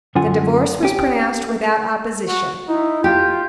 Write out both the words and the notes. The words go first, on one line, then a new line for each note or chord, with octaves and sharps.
The divorce was pronounced without opposition.
F#2 D3 C#4 F4 F#5 G#5
C#4 G4
F#4
D#4 E4
F4 G4 G6